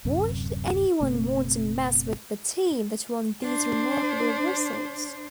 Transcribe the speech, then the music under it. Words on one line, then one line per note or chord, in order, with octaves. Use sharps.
Why should anyone want to mess with the team that won these remarkable results?
D1 F#2 C3
F#1 B2 A3 C4
D4 C5